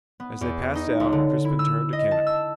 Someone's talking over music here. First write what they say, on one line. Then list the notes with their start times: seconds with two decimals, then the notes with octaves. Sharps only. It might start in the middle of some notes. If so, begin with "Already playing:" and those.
As they passed out, Crispin turned to Kenneth.
0.20 B3
0.41 E2
0.75 D#4
1.00 C#2
1.12 D3
1.45 E4
1.59 E6
1.93 D#5
2.11 A5
2.27 E6